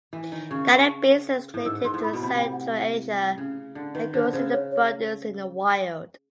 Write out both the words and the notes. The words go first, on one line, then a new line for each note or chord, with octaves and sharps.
Cannabis is native to Central Asia and grows in abundance in the wild.
E3
D#3
C#3 C#6
A2
G#2 E6
G#2 C6
A2
B5
B2
C3 B5
G5
F#5
F5
C#3
D3
D#3 B4
D3 C5
C#3 C5
C#5
C#5